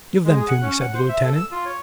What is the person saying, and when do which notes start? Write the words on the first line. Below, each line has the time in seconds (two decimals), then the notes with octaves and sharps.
"Give them to me," said the Lieutenant.
0.25 G#3
0.37 G#4
0.48 F#5
0.62 C#4
0.80 F#5
0.94 C5
1.09 E5
1.24 A4
1.36 E6
1.51 F4
1.65 C#5